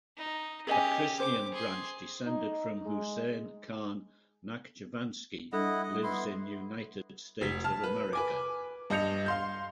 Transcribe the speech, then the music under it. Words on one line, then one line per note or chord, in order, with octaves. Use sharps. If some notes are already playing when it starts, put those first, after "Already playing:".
A Christian branch descended from Huseyn Khan Nakhchivanski lives in United States of America.
D#4
C#4 G4 G#4 D#5 G#5
C5 D6
G#4 C6
D#4
G#3
G3 D4 E4 A4 D#5 F#5
D#5 F#5
B3 E4 C6
F1 B6
A5 F6
B4
B4 G#5 D6
G2 D#5 G6 C#7 F7
F5 C6 G6